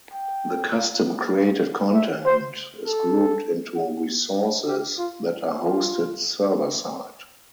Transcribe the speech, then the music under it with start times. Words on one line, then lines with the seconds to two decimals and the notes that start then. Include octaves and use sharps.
The custom created content is grouped into "resources" that are hosted server-side.
0.13 G5
1.94 E5
2.26 C5
2.87 A4
4.68 G4
4.99 F4
5.59 F4